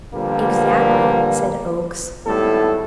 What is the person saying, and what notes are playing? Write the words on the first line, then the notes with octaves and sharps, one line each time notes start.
"Exactly," said Oakes.
A#2 D3 F3 G3 A#3 B3
G#1 A2 G3 B3 A4